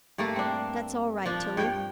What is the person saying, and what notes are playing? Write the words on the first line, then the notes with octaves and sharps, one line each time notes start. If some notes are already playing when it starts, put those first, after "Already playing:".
That's all right, Tillie.
G2 A3 A#3 A4
C4 D4
F3 D4
G2 G5